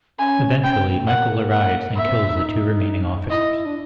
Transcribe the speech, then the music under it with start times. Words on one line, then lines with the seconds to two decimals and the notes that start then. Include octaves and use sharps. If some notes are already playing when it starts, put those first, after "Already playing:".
Eventually, Michael arrives and kills the two remaining officers.
0.19 C#4 G#5
0.64 C#4 G5
0.75 C4
0.86 B3
0.97 A3
1.07 A#3 F#5
1.52 F#5
1.97 A#3 E5
2.08 C4
2.19 D4
2.30 D#4
3.30 E4 D#5
3.65 D4